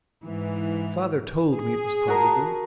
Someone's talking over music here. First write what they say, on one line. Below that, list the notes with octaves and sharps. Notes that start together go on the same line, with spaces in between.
'Father told me it was probable.'
G#2 E3
G#4
F#4 A#4 A5